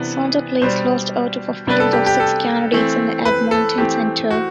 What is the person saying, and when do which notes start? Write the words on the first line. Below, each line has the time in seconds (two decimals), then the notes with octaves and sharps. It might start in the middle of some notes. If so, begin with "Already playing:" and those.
Saunter placed last out of a field of six candidates in Edmonton-Centre.
Already playing: C3 E3 B3 D4
0.62 B2 G3 D4 C5
1.67 C3 G3 B3 D4 B4
1.80 A4
1.93 G4
2.06 G4
2.20 A4
2.72 E3 A3 C4
3.25 B4
3.51 A4
3.78 E3 A3 C4 G4
4.30 F#4